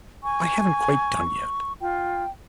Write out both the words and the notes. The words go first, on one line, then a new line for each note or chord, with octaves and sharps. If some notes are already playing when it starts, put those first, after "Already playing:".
I haven't quite done yet.
G#5 C#6
F4 G5